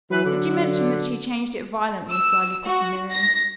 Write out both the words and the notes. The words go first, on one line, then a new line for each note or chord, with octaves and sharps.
"Did you mention that she changed it violently?" slyly put in Miriam.
E3 F#3 B4
D3
E6
F#4
A#6